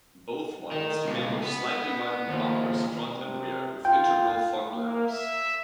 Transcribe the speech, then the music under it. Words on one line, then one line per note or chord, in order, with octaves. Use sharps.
Both models came with slightly widened bumpers front and rear with integral fog lamps.
D#3
C#2 B2
B3
B3
D#2 F3
C3
F4 G5
A#3
E5